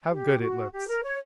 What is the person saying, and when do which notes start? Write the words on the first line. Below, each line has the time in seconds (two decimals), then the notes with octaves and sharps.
How good it looks!
0.11 G4
0.41 F#4
0.72 G4
0.88 A#4
1.03 C#5